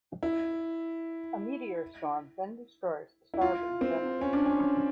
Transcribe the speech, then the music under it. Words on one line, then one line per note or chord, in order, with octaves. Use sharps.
A meteor storm then destroys the starboard generator.
E4
E4
F4
C4
C#4
D4
C#4